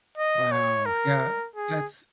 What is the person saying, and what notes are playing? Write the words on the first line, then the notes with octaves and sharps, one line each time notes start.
Wow, yeah, that's
D#5
C#5
A#4
G#4